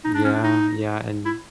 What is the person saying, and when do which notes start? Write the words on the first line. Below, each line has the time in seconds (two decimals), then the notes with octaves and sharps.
Yeah, yeah, and
0.05 D#4
0.15 D4
0.25 C#4
0.35 D4
0.44 D#4
1.25 E4